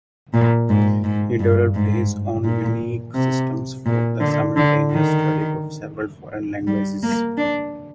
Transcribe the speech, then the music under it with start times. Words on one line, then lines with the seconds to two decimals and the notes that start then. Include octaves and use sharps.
He developed his own unique systems for the simultaneous study of several foreign languages.
0.34 A#2
0.70 G#2
1.04 G#2
1.40 G2
1.75 G#2
2.45 A#2
3.15 C3
3.86 A#2
4.21 D3
4.57 D3
4.92 D#3
6.68 G3
7.03 A#3
7.38 D4